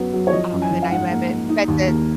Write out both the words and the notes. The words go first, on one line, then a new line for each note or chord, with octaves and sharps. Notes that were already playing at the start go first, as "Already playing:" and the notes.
I don't know the name of it, but the
Already playing: F#2 F#3 B3
F#3
C#5
F3 D#5
F#2
G#5
F3
F5
G#2 F#5
A#3
A#3
D#4
D#2
A#3